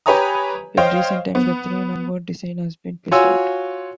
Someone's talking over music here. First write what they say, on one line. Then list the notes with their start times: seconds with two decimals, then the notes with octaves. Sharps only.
In recent times, the three-numbered design has been phased out.
0.06 G4 B4 C#5 G#5 A#5 D#6
0.77 C5 C#5 D#5 F5 G5
1.35 B3
3.11 F4 F#4 C#5 G#5 E6